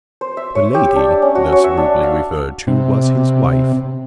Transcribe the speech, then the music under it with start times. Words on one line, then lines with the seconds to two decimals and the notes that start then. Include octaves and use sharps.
The lady, thus rudely referred to, was his wife.
0.21 C5
0.37 E5
0.55 C#5
0.74 G4
0.96 D4
1.22 C#4
1.35 F#4
1.52 C#5
1.64 E5
1.77 D4
2.04 F5
2.67 C3